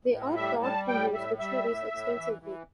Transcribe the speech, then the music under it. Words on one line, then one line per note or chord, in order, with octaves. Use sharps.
They are taught to use dictionaries extensively.
A2
G3 E5
G3 A5
A2 G5
A2 E5
G3 E5
A2
A2
E3
E3